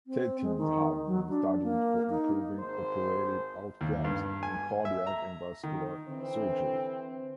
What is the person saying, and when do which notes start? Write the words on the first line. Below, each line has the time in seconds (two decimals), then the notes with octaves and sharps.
Statins have been studied for improving operative outcomes in cardiac and vascular surgery.
0.07 C4
0.42 G#3
0.58 D#3
1.07 F#3
1.29 D4
1.63 A#3
2.10 D#4
2.58 G#1 C5
3.81 D#2
4.04 G2
4.43 G#5
4.85 E5
5.07 A#5
5.63 D#3
6.09 D3 E3 C4